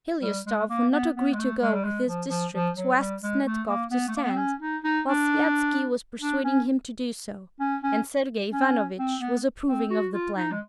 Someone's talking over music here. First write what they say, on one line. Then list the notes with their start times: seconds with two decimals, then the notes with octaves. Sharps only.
Hliustov would not agree to go with his district to ask Snetkov to stand, while Sviazhsky was persuading him to do so, and Sergey Ivanovitch was approving of the plan.
0.22 G3
0.46 G#3
0.69 A#3
0.91 B3
1.15 B3
1.33 G#3
1.39 A3
1.62 G#3
1.74 G3
1.84 G#3
2.07 F3
2.30 F3
2.53 F3
2.77 F#3
2.99 G3
3.23 G#3
3.46 A3
3.68 A#3
3.91 B3
4.08 A3
4.16 A#3
4.23 B3
4.30 C4
4.37 C#4
4.60 D#4
4.84 D#4
5.07 D4
6.21 D4
6.44 C#4
7.60 C#4
7.83 C#4
8.53 C#4
8.99 C4
9.21 B3
9.68 C4
9.90 F#4
10.14 F4
10.37 D#4
10.52 G#3